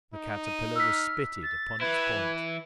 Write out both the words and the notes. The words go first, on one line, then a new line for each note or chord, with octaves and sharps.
The caterpillar was spitted upon its point.
D#4
D#7
E6 F6 B6
A6
E3 E4 B4 G#6